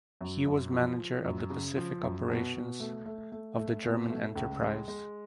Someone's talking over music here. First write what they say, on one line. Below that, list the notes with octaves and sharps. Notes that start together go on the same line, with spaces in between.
He was manager of the Pacific operations of the German enterprise.
F#2
F#2
F3
F3
F#2
C#3
F3
F#2
B2
B2
A3
A3
A3
A3
B2
A3
C#2
G#3
G#3